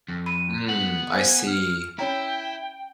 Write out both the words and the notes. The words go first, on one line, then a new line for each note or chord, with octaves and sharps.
Mm. I see.
F2
B5 D#7
B3 F#7
C5 F5 G#5
F6
C#4 E4 C#5 G5 A#5